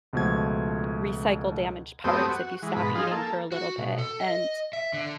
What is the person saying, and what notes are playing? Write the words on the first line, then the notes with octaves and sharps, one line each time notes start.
r recycle damaged parts if you stop eating for a little bit and
C#2 B2 F3 A3 G#6
F#2 A3 B3 C4 G4 D#6
F#4
E3 G#3
G#2 B2 B5
F3 D#4 F4 G#4
A#3 A4
F#4
B2
A4
D#5
E5
D3